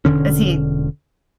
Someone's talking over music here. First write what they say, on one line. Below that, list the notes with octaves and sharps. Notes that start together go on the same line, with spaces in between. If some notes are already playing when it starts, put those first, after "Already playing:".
Is he
E1 D3 C#4